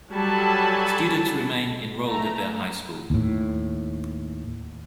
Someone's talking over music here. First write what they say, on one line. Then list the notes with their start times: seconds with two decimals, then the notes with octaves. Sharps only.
Students remain enrolled at their high school.
0.11 F#3 G3 A4 G#5 A5 B5
2.06 A3 A#5
3.10 D#2 A2